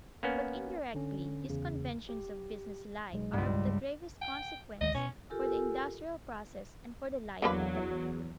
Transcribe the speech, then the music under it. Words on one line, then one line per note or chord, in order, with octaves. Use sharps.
But indirectly these conventions of business life are of the gravest consequence for the industrial process and for the life of the community.
A#3 B3 C#4
D3 C#4
E2 C#3
G4
B1 G#3
C#2 G2
G5
D2 D#3 G#3 D#5
B2 C#4
F4 G4 A4 A#4 G#5 E6
E2 D3 F#3 A#3 B4